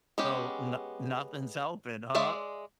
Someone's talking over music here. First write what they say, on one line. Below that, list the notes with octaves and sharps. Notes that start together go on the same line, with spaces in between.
So, no nothing's helping, huh?
G#3 B3 C#4 G4
G#3 C5 D5 E5